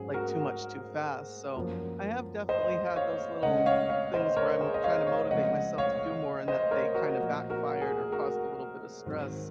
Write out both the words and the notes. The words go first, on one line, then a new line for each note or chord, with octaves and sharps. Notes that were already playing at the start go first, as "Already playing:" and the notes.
like, too much too fast so, I have definitely had those little things where I'm tryna motivate myself to do more and that they kinda backfired or caused a little bit of stress,
Already playing: G#2 F#3 C#4 G#4
F#4 A#4
F#2 F3 A#3
C5 D#5
C#5 F5
C#3 G#3 C#4 D#5 F#5
C#5 F5
C#5 F5
C5 D#5
A#4 C#5
G#4 C5
D#5
C#5 F5
C#5 F5
C#3 F3 G#3 C4 D#5 F#5
C#5 F5
C5 D#5
A#4 C#5
F#4 A#4
A#2 F3 A#3
F#4 A#4
G#4
F#4 A#4
G#2 D#3 F#3 C4